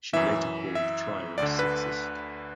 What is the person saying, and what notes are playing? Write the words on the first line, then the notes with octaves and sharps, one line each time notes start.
She later called Trier sexist.
F#2 E3 E5
E5
D2 D3 D5
B4